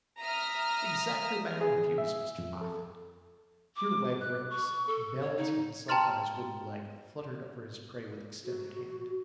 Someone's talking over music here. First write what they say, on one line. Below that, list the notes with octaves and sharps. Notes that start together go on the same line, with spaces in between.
Exactly my own views, Mr Boffin.' Here Wegg rose, and balancing himself on his wooden leg, fluttered over his prey with extended hand.
E5 A#5 D#6 F6
G#4
E5
F2
A4
D6
F#6
C#6
A4
C#5
D#4
G5 A5 A#5 C6 F6 A6
F#4